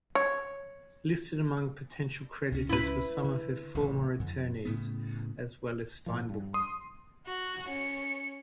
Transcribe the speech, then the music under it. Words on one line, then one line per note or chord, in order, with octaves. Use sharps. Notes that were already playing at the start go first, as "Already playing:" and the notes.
Listed among potential creditors were some of her former attorneys, as well as Steinbuch.
C#5
C#2 C#4
E4 B4
D3
D1 A1 C3
F2 D3
A2 C#3 B3
A2 F3
G2
C6 D#6
F#4
C#4 C#7